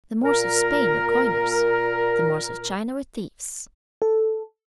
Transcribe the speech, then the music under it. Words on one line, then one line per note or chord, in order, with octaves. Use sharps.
The Moors of Spain were coiners, the Moors of China were thieves.
A#2 A#4
A4